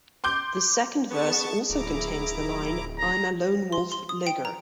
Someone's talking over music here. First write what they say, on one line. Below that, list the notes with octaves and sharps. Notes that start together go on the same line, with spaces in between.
The second verse also contains the line, "I'm a lone-wolf ligger".
C6 D6 G6
B3 G#4 A5 C#6 A6
D1 E4 A#5 D6
A#5
C6
C6
D#6
G5
A#5